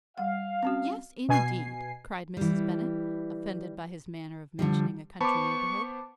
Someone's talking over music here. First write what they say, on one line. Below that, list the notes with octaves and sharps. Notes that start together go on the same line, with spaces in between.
"Yes, indeed," cried Mrs. Bennet, offended by his manner of mentioning a country neighbourhood.
G3 F5 F#5
C4 C#4 F#4
B2 G#5 C7
E3 G3
D3 F3 G3
B3 C5 A5 B5 C#6 D6